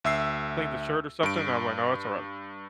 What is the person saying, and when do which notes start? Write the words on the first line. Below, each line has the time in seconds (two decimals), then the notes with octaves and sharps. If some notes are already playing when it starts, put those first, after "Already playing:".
clean the shirt or something?" I was like, "No, it's alright."
0.04 D2 E5 E6 C7
1.23 G2 D7